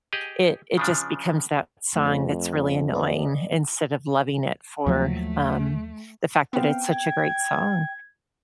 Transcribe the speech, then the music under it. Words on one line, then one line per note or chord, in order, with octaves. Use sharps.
it it just becomes that song that's really annoying instead of loving it for, um, the fact that it's such a great song.
G4 G#4 D#5
C#3 F3 D4
F2 A3
B4 D5 D#5
D#2 F3 F#3 A3
B3 C4 F5 G5
G#6